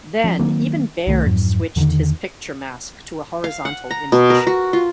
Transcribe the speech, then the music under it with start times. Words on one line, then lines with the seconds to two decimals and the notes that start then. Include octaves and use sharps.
Then even Baird switched his picture mask to a horizontal image.
0.24 F3 C#4
0.39 D#3 F#3 A#3 C4
1.07 C2 D#3 A3
1.26 F2 G#2 F#3
1.76 E2 D3 D#3
3.44 F5
3.65 F#5
3.91 A#5
4.12 B2
4.30 A#4
4.47 F#4
4.73 F4